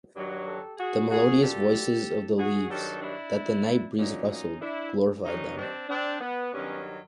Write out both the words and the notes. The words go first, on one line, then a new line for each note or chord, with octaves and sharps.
The melodious voices of the leaves, that the night breeze rustled, glorified them.
G2 D#3 F#3
G4 A4
F#4 G#4
F#4 G#4
A#2 F#3 G4 A4
F#4 G#4
G2 D#3 F#3 G4 A4
D4 E4
A#2 F#3 C#4 D#4
C#4 D#4
D4 E4
G2 D#3 F#3 C#4 D#4
C4 D4
C4 D4
B3
G2 D#3 F#3 B3 C#4